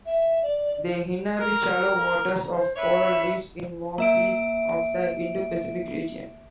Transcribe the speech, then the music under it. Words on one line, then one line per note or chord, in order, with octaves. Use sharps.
They inhabit shallow waters of coral reefs in warm seas of the Indo-Pacific region.
E5
D5
A#4 A#5
C5
D4 B4 C#5 E5
A#3 E5 D7